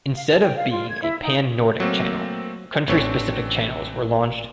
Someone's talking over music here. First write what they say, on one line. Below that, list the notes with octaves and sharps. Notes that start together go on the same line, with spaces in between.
Instead of being a pan-Nordic channel, country specific channels were launched.
F5
A5
G5
F5
F4
G#6
E4
D#4
F#3 A3 A#3 C4
A1 E3 C4 D4 C#5